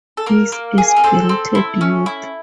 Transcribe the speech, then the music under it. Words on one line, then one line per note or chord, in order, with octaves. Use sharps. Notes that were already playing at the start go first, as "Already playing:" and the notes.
He's a spirited youth.
A4
A#3 A#4
A#3
G#4
A#4
C4 A4
C4
E4
C#4
E4